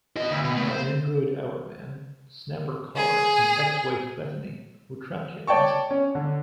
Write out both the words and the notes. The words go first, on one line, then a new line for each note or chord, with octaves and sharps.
The android Hourman, Snapper Carr and ex-wife Bethany were trapped here once.
F#4 D#5
D2
B2
C#3 A3
C5
G#4
C#5 D5 G5 A5 C#6
C#4
D3